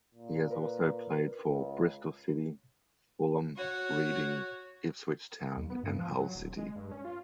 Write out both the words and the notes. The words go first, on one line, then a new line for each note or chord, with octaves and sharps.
He has also played for Bristol City, Fulham, Reading, Ipswich Town and Hull City.
A#2
A#4 B4
C#2
F#4 C#5
D#2
B3
G2
F3
F#3
D#1
G#3
G2
C#4
F4